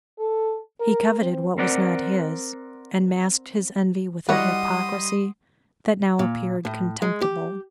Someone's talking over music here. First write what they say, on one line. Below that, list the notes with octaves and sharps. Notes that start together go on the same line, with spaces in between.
He coveted what was not his, and masked his envy with a hypocrisy that now appeared contemptible.
A4
A#4
C4
C4 A#4 D5 F#5
G3 E4 F#4 C#5 D#5 F#5 C6 D#6
A#2
A2
G#3
G4